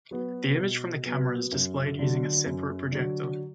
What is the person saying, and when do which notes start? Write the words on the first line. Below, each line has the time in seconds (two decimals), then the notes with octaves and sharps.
The image from the camera is displayed using a separate projector.
0.11 F#3 B3 F#4
0.57 B2
1.05 F#3 B3 F#4
1.52 F#2
1.99 D3 F#3
2.46 F#2
2.92 D3 F#3